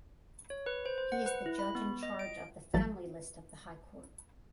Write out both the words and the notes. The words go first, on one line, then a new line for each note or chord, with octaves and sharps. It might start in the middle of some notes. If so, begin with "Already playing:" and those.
He is the judge in charge of the Family List of the High Court.
C#5
B4
C5
C5
F#5
B4
E4
B5
B3
D#5
D7
A1 E3 F#3 G3 A6